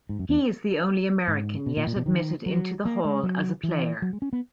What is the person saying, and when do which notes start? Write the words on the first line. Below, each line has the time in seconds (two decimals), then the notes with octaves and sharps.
He is the only American yet admitted into the Hall as a player.
0.09 G#2
0.19 F#2
0.29 E2
1.28 G#2
1.66 B2
1.77 A#2
1.87 A#2
1.96 B2
2.06 D#3
2.46 F#3
2.85 A#3
3.05 G#3
3.23 F#3
3.64 E3
4.02 F#3
4.13 G#3
4.22 C#4
4.33 B3